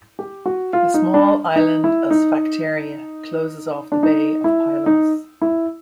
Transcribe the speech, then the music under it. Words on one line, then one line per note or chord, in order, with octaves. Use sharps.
The small island Sphacteria closes off the bay of Pylos.
G4
F#4
F4
D#4
D4
D#4
E4
D#4
D4
D#4
E4
D#4
E4